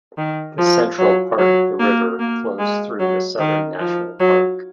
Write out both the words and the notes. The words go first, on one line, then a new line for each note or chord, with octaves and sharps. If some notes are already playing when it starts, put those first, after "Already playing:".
The central part of the river flows through the Southern National Park.
D#3
F3
F#3
F#3
A#3
A#3
G#3
F#3
D#3
F3
F#3